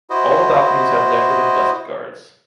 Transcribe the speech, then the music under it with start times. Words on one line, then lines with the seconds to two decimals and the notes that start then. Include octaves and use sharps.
All the balconies have decorative dust-guards.
0.10 E4 F#4 C5 D#5